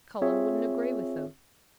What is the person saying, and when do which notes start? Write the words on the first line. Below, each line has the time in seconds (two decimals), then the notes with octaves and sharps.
'Colin wouldn't agree with them.
0.22 C4 F4 G#4 C#5 E5